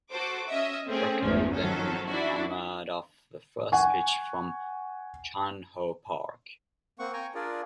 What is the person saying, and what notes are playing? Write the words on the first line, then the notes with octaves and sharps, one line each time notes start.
Ripken then homered off the first pitch from Chan Ho Park.
F#4 A4 C5 D6
C#4 D#5 E5
A3 C4 C#4 G#4
G1 E2 G#2 F3 A3 C#4
D#3 F3 F#3 C#4 A4
D4 E4 F#4
F#5 G#5 C#6
A#3 C4 F#5 C#6
G5 G#5 A#5 C#6
D4 F4 G#4 A#4 D5